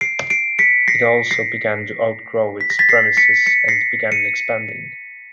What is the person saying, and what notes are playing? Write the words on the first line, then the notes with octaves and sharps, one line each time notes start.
It also began to outgrow its premises and began expanding.
C7 D7
C7 D7
B6 C#7
A#6 C7
A#6 C7
B6
A#6
A6 B6
A#6 C7
B6 C#7
B6 C#7
A#6 C7
C#7 D#7